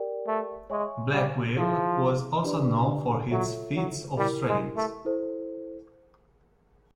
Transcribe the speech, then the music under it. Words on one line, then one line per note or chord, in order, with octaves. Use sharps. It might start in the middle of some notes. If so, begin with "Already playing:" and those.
Blackwell was also known for his feats of strength.
Already playing: G4 A#4 D5 G5
A3
G#3 C#5 E5 G#5 C#6
G3
F3 E4 G#4 C5 E5
D4 G4 B4 D5
F#3 F4 A4 C#5 E5
F#3
G3 E4 G4 A#4
G#3
A3
E4 A4 C5